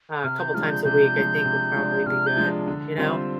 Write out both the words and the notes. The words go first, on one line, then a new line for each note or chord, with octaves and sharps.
uh, couple times a week, I think would probably be good, you know?
C3 F6
G6
F3 G#3 D4 F6
G6
C3 G6
F3 G#3 D4
C3
F3 G#3 D4
C3 F6
G6
F3 G#3 D4
D3
G3 C4 F4 C5